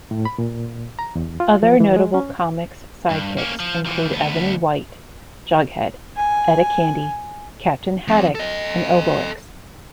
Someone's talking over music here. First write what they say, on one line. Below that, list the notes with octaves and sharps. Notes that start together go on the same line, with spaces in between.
Other notable comics sidekicks include Ebony White, Jughead, Etta Candy, Captain Haddock, and Obelix.
A2
B5
A#2
A#5
E2
F4
F3
E3
G#3
C#4
G2
A#3 C#4
F3
E3 F3
D2 B3
G#5
F3 C4
A4 D#5